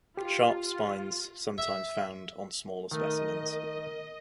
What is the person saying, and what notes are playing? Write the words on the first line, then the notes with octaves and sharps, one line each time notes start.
Sharp spines sometimes found on smaller specimens.
F4 G4
E5
D#3 A3 A#4 D#5